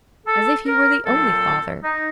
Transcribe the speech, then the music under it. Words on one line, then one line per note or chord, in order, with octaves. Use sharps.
"As if he were the only father."
A4
A#4
A#2 F#3 C4 A4
D#4